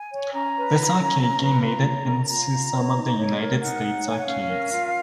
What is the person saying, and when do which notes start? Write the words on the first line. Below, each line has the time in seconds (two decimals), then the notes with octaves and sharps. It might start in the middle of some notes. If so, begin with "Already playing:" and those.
This arcade game made it into some of the United States arcades.
Already playing: G#5
0.11 C#5
0.33 C#4 A#5
0.56 B4
0.77 F4
0.99 C#4
1.21 C#4
1.42 B4
1.64 F4 A#5
1.86 C#5
2.08 A#4
2.29 F4 A#5
2.52 F4
2.73 C#5
2.96 D#4
3.17 C#5
3.39 A#4
3.61 D#4 F#5
3.82 D#4
4.04 C#5
4.10 G#5
4.18 F#5
4.26 C#4 F5
4.48 A#4
4.70 F4